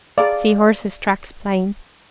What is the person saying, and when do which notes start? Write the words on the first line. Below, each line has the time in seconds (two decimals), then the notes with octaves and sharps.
See horse's tracks plain.
0.18 G#4 D5 F5